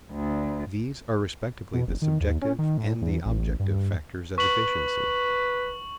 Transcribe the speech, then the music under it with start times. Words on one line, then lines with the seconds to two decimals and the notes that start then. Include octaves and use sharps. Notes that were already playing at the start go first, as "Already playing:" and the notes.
These are respectively the subjective and the objective factors of efficiency.
0.12 D2
1.74 B2
1.88 F#1
2.02 D#3
2.21 D#2
2.42 C#4
2.59 D#3
2.78 A2
3.01 E2
3.25 A1
3.60 G2
4.38 B4 C#6 F#7